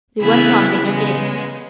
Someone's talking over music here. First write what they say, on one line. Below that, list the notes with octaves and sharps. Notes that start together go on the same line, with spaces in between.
They went on with their game.
C#3 E3 B3 E4 G#4
C#3 G#3 B3